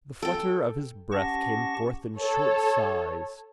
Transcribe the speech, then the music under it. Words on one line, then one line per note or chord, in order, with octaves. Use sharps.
The flutter of his breath came forth in short sighs.
A4 G5
C#4 G4 F#5 A5 C#6 A#6
A4 C#5